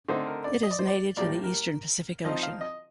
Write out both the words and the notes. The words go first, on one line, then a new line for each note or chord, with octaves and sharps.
It is native to the eastern Pacific Ocean.
D3 A3 C4 D#4 C5
A#4
D5
D#5
D5
C5
D5
A2 G3 A#3 D5
A#4
F3 C4 D#4 D#5
F5
D#5